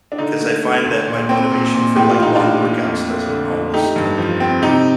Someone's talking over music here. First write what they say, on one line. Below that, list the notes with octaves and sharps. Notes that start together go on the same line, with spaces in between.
'cause I find that my motivation for, like, long workouts doesn't always come to me anymore.
D4
D3 D#4
A3
A3
D2
A#2
C4
A#2
A#2
A2 G4
F4
A2 D#4
A2 D4 F4
A2
F2
A3
D3
F2
A3 D#4 G4
G2
F3
C4
C3 D#4 G4